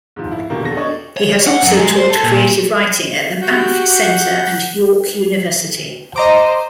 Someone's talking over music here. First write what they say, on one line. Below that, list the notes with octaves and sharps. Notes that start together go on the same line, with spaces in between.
He has also taught creative writing at the Banff Centre and York University.
G#2 F3
E4
B2 D3 F3 A#3 G4
E2 A4 A#6
A3 D4 C#5 D#5
C#5
F#5
F#2
G#3
C5
A4
A#2
F#4 G4 F#5 G6
C5 D#5 A#5 D6